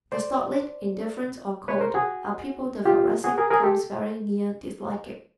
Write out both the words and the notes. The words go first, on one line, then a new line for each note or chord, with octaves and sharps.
The stolid, indifferent or cold are people the Thoracic comes very near disliking.
C5 D5
B4 C#5
A#4 C5
F#4 G#4
F4 G4
F#4 G#4
G#4 A#4
G#4 A#4
G4 A4